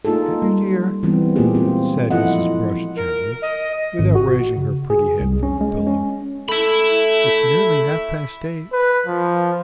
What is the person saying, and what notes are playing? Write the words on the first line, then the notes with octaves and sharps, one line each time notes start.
"Henry dear," said Mrs. Brush gently, without raising her pretty head from the pillow, "it's nearly half-past eight."
A#3 D#4 F4 G#4 A4
G3
E3 G3 B3 C4
A#2 G#3 A#3 F4 G4 G#4
C4 F4
F3 E4 F4 A4 D#5 F#5
A#4
D#5
G#1
F#4
C#3
G#4
C2
C#4
G#3
C#4
A3 E5 B5
B4
F3